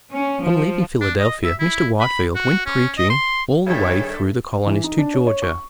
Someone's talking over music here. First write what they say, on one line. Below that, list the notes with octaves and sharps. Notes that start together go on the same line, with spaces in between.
On leaving Philadelphia, Mr. Whitefield went preaching all the way through the colonies to Georgia.
C#4
F3
D4
D#5
E5
E4
B5
F#4
C#4
D#5
C6
G2 D#3 D4 G#4 A4 C#5 E5
E3
D#4
D4
C#5
C#5
C#6